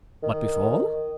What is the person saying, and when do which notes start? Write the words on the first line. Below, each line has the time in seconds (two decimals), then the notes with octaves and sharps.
"But before--?"
0.23 D#3